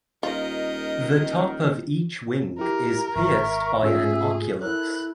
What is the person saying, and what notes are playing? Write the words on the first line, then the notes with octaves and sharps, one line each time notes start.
The top of each wing is pierced by an oculus.
D#1 D#3 F4 A#4 D#5
E4 G4 A#4
G#1 E5 C#6 F6
G#2 A3 C#4 F4 G#4 E5 E6
E4 A4 A#4 F#6